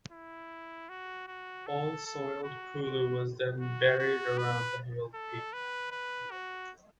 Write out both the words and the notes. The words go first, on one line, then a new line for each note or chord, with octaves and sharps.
All soiled pulu was then buried around the hale pea.
E4
F#4
F#4
A4
A4
F#4
F#4
F#4
F#4
B4
A4
B4
B4
F#4